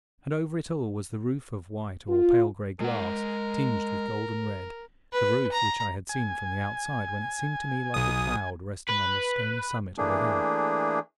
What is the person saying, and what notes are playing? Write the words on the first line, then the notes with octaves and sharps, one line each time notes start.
And over it all was the roof of white or pale gray glass tinged with golden-red--the roof which I had seen from the outside when it seemed to me like a cloud resting on the stony summit of a hill.
F4
G#3 A#4 F#5
B4
A#5
G#5
B1 D#6
B4
E3 A3 A#3 D4 G#4